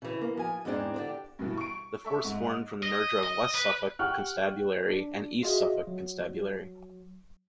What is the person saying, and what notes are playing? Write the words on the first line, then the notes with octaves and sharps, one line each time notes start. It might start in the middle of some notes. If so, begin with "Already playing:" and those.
The force formed from the merger of West Suffolk Constabulary and East Suffolk Constabulary.
C#3 E3
A#3
F3 G#5
E2 G#2 C4 D4
D3 D4 G4
G2 B2 E3
C#6 D7
A4 E5 C#6
G#2
D#5
D#5
B4
G4 F#5 G5 C#6 F6 F#6
D4
F4 F#4 G#4 D#5 E5
F#3